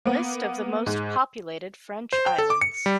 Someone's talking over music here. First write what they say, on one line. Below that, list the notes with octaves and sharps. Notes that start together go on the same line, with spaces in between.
List of the most populated French islands.
A#3 B3
G#2
C5
G5
A4
D6
C#7
G3